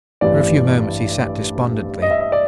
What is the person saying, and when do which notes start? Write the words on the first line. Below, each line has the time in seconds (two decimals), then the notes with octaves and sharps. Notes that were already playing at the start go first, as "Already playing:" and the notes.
For a few moments he sat despondently.
0.21 A1 G2 E3 G3 C4 D5
2.02 D#5
2.11 E5
2.20 D#5
2.32 D5